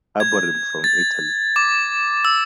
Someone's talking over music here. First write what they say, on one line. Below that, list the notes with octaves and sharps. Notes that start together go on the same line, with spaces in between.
Aborym from Italy.
G#6
A6
D6
E6